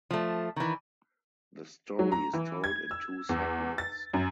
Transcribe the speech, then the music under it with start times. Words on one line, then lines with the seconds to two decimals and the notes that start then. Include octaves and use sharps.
The story is told in two segments.
0.11 F3 A3
0.56 D#3 E3
1.99 F#3
2.12 A#5
2.34 E3
2.64 G#6
2.91 E6
3.29 E2
3.78 A6
4.13 F#2